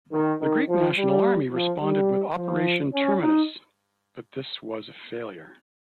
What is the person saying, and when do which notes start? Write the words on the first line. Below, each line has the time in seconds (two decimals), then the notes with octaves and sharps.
The Greek National Army responded with Operation Terminus, but this was a failure.
0.12 D#3
0.40 D#3
0.68 F3
0.96 G3
1.52 F3
1.81 G3
2.37 F3
2.93 C#4
3.21 D#4